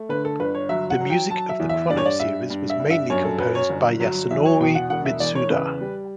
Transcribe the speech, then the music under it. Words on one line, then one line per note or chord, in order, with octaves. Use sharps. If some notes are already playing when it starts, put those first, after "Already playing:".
The music of the "Chrono" series was mainly composed by Yasunori Mitsuda.
Already playing: A3
D3 B4
A4
G1 B4
C#5
F#3 E5
F#5
F#3
G5
F#3 A5
E5
E2
E5
G2 D5
C#5
D5
G2 E5
G2
E5
G2
E5
F#2 C#5
A4
F#3 B4
C#5
G1
F#3
E2 E5
C#5
B2 G5
F#5
E1 F#5
E5
E2 D5
C#5
C#3 B4
G3